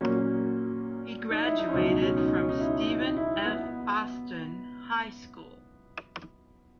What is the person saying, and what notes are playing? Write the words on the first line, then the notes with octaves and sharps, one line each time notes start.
He graduated from Stephen F. Austin High School.
A#2 F#3 A#3 C#4
D#4
E4
D#4
C#4
C#2 B2 F#3 D#4
D#4
C#4
D#4
D#4
C#4
D#4
E4
D#4
D#4
E4
B3